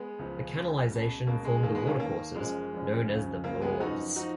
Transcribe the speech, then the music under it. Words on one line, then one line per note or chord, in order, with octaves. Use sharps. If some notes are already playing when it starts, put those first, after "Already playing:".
The canalisation formed the watercourses known as the mauves.
Already playing: G#3 B3
C#2 C#3 F3
C#2 C#3 F3
C#2 B2
C#2 B2 A#3
G#3
D#2 D#3 A#3
G#3 B3
A#3 C#4
D#2 D#3 A#3
F#1 F#2 F3 G#3
F#1 F#2 F3
C#2 C#3 F3
C#2 C#3 F3 A#3
G#3 B3
F#1 F#2 F3 D#4 F#4
F3 D#4 F#4